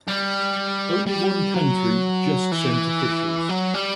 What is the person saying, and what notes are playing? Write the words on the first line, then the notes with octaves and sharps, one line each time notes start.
Only one country just sent officials.
G3
G3
F#3
E3
F#3
G3